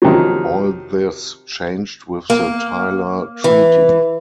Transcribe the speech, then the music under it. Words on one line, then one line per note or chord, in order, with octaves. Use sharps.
All this changed with the Tyler treaty.
C3 D#3 F3 F#3
A#3
E3